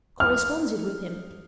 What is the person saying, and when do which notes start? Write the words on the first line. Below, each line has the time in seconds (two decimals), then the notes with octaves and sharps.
"Corresponded with him?"
0.20 F6